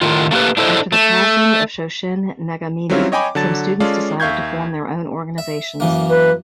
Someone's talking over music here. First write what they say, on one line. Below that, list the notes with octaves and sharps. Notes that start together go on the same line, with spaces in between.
After the passing of Shoshin Nagamine, some students decided to form their own organisations.
A2 D#3 F4
A3 A#3 F#4 G4 B4
D4 E4 A4 C5 D#5
A3
F#3 G3 C4 C#4 E4 F4
C#5 D#5 G5 G#5 B5 D6
D3 F#3 A5 A6
G#3 C#4 F4 A4 D5 F5
D#2 E5 F5 C#6 G6 G#6
E5
F#2 E3 A#3
B4